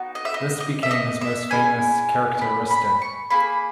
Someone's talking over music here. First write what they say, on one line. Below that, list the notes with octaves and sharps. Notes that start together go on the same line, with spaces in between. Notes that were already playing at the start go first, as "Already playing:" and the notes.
This became his most famous characteristic.
Already playing: B3 D#4 F#4
D#5
E5
D#5
D#5
E5
D#5
E5
C#4 E4 G#4 G#5
B5
B5
C#6
A#3 D#4 G#4 B5